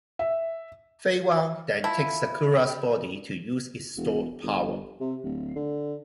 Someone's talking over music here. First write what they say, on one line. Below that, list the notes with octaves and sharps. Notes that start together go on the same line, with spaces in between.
Fei-Wang then takes Sakura's body to use its stored power.
E5
E4 F4 F5 A5
G4 D5 G5
E1
G1
C3
D1
D3